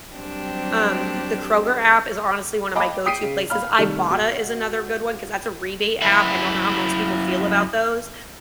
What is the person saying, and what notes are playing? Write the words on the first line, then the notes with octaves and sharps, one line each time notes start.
um, the Kroger app is honestly one of my go to places, Ibotta is another good one 'cause that's a rebate app, I don't know how most people feel about those,
F#3 G3 C4 D4 G4
D#5 F5 G5 A5 B5 D6
G5 D#6 B6 C7 D7 D#7
C#3
F5 B5 F6
C3 D#3 G3 A3
B2
F#2 E4